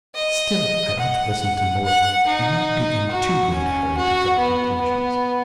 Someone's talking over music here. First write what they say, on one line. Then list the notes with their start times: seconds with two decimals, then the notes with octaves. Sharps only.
Still, I ought to listen to more and not be in too great a hurry to draw conclusions.
0.15 D#5
0.99 F#5
1.84 F#5
2.26 D#4
3.11 F#4
3.53 C#4
3.96 F#4
4.38 B3
4.80 B3